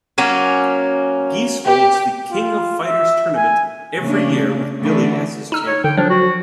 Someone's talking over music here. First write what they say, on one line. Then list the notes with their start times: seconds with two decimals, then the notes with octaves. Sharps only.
Geese holds "The King of Fighters" tournament every year with Billy as his champion.
0.18 F#3 A#3 C#4
1.64 G4
2.32 F4
2.86 E5
3.36 G#5
4.01 C#3 A3 A#3 D4
4.80 D3 E3 A3
5.52 D#4 E6 F6
5.67 C#5
5.84 D3 G5
5.97 F3 F#3 D4
6.10 F#4